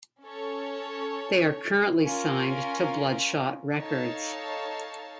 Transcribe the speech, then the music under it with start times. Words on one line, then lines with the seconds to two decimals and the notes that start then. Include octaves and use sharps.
They are currently signed to Bloodshot Records.
0.23 C#4 A4 C#5
2.01 C#4 F4 A#4
3.78 D#4 A4 C#5 F5 A5